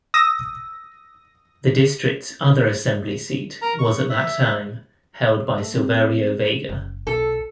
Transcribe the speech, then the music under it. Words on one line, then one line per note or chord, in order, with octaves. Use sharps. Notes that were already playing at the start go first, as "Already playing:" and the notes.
The district's other Assembly seat was at that time held by Silverio Vega.
D#6 E6 A#6
A#4 A#5
C#6
E5
A3
C4
F#1
B1 A4